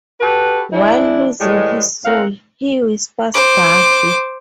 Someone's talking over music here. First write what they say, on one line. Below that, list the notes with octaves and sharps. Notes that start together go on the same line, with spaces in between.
While losing his soul, he whispers 'Buffy'.
F#4 G4 A4 B4
E3 G#3 D4 E4
A2 E3 G3 G#3
A2 C4 A#4 F5 F#5
C5 D6